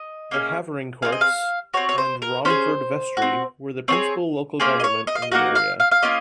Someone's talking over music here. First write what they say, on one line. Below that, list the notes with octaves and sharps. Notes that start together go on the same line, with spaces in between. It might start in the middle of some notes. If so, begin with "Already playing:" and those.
The Havering courts and Romford vestry were the principal local government in the area.
Already playing: D#5
A#3 C#4 G#4
C4 D#4 G#4 F5
D#5
F5
C4 F#4 C#5
C#5
C5
A#4
C#4 F4 G#4 C5
C4 F#4
C4 F4 G#4 C#5
A#3 C#4 G#4 C5
D#5
C#5
D#5
F5
D#5
A#3 D#4 F#4 F#5
F5
F5
F5
A#3 C#4 F4 D#5